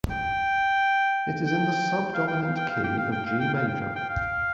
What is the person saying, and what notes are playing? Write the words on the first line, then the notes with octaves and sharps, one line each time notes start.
It is in the subdominant key of G major.
G5
G5
F5
G5
F5
G5
F5
G5
F5
G5
F5
G5
F5
G5
F5
G5
F5